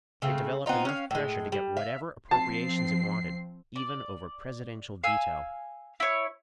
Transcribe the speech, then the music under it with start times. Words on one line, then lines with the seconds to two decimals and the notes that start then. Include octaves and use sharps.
It developed enough pressure to get whatever appropriations it wanted, even over Presidential veto.
0.22 C#3 A3 C4
0.66 B3 C4 D#4 F4
0.85 C#4 F5
1.11 A2 G#3
1.52 G3
1.77 E5 F5
2.31 F3 C4 A5 C7
3.76 D5
5.04 F5 G#5 E6
6.00 E4 C#5